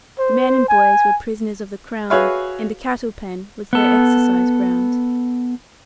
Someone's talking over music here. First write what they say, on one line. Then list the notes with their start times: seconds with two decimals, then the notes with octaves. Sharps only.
The men and boys were prisoners of the Crown, and the cattle-pen was their exercise ground.
0.19 C5
0.69 G#5
2.10 F#4 G#4 B4 C#5 E5 F5
3.73 B3 A4